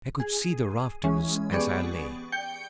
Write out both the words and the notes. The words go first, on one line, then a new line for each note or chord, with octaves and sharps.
I could see the rafters as I lay.
G#4
E3 G#3 C#4
B3 G4 G#4 D5 C#6
G5 G6 C#7